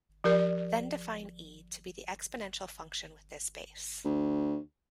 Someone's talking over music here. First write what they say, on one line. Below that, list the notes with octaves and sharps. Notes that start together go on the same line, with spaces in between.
Then define "e" to be the exponential function with this base.
F3 G4 A#4 D5
D2